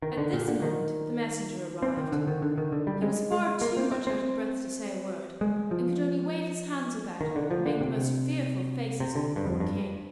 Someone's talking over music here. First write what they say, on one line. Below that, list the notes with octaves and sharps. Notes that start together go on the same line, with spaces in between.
At this moment the Messenger arrived: he was far too much out of breath to say a word, and could only wave his hands about, and make the most fearful faces at the poor King.
D#3
D3
A#2
D3
D#3
C4
D#3
D3
D#3
D3
D#3
D3
G3
G#3
G#3
A#3
C4
C4
C4
G#3
F3
D#3
D3
F3
D3
C3
C3
D3
G2
F2
G2